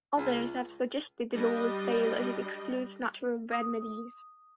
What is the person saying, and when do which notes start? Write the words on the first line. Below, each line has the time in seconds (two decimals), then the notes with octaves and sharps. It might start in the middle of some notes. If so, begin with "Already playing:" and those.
Others have suggested the law will fail as it excludes natural remedies.
0.17 C#2
1.33 G3 D4 D#5
3.53 D#6